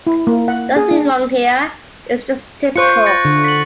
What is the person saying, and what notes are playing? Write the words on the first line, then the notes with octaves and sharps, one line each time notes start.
Nothing wrong here, it's just typical.
E4
A#3
F#5
G#4
D4
F4 C5 C#6 F#6 C#7
A6 A#6 C#7
D3
B6 F#7